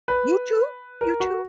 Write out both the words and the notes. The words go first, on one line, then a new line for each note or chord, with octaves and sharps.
You too? You too?
B4
A#4
F#4